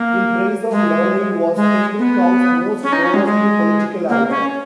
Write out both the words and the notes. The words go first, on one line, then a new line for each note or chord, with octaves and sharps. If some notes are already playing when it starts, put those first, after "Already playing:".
"In Praise of Learning" was Henry Cow's most overtly political album.
Already playing: A#3
G#3
G#3
B3
C#4
D#4
C#4
G#3
G#3
A#3
C#4